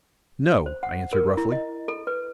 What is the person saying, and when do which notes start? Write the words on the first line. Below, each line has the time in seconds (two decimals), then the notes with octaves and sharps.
"No," I answered roughly.
0.66 C5
0.83 F#5
1.13 A#4
1.37 E4
1.52 D#5
1.88 A4
2.07 B4